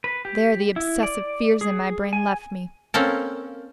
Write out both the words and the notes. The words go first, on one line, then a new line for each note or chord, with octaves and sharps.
There the obsessive fears in my brain left me.
B4
G4
E4
D5
G#4
G#5
A#3 C4 C#4 A4